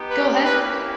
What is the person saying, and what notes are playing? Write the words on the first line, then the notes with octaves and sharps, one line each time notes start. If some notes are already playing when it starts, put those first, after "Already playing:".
Go ahead.
Already playing: B3 D#4 G4
B4
A#3 C#4 E4 G4 B4